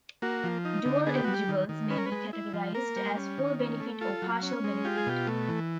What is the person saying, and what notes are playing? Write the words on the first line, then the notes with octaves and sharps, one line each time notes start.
Dual-eligibles may be categorized as full-benefit or partial-benefit.
A#3 F#4
F3
D#4
D3
B3 G#4
G4
G3 F#4
G4
D#3
D#3
C#4 B4
A#4
B4
G#3
E4
F3
A#3 A#4
G3
C#4
D#3
C#4
A3
F4 A4
F#3
C#4
G#3
F4 G4
G#4
B2 G4
A3
E3